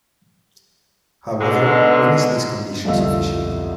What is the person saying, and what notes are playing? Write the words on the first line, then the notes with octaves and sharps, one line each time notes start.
However, when is this condition sufficient?
G#2 B2 D3 G#3
G1 C2 F2 D#5 F5 E6